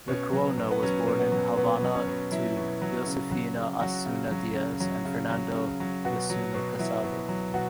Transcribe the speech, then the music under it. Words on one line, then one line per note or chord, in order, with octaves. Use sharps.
Lecuona was born in Havana to Josefina Asencio Diaz and Fernando Lecuona Casado.
B2 C#4
F#3
B2
B3
F#3 C#4
B2
B3
F#3
B2 B3
B3
F#3
C#4
B2
F#3 E4
B2
F#3
C#3
F#3
C#3
F#3 F#4
C#3
F#3
C#3
F#3
C#3
F#3
C#3
F#3
B2 F#4
F#3
B2
F#3 E4
B2
F#3
B2 F#4